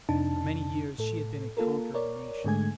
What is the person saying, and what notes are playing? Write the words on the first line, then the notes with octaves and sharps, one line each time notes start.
For many years she had been a conquering nation.
F2 C3 D4 D#4 A5
A2 A4
A#3 F4 A4 A#4
A#4 C#5 D5
G#2 D3 G#3 A3 G#5 G#6